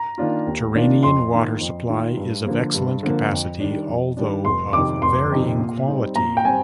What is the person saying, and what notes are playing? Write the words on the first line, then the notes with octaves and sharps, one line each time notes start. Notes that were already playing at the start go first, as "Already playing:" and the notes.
Terranean water supply is of excellent capacity, although of varying quality.
Already playing: A#5
D#3 A#3 D4 F4
D#2
D#3 A#3 D4 F4
F2 C6
D#3 A#3 F4
F2
D#3 A#3 F4
G2
D3 F3 A#3
G2
D3 F3 A#3
F2
D#3 G3 D4
F2
D#3 G3 D4
F1 C6
F2 C3 D#3 D6
F1 C6
F2 C3 D#3
A#2
G3 C4 D#4
A#2 A#5
G5
G3 C4 G#5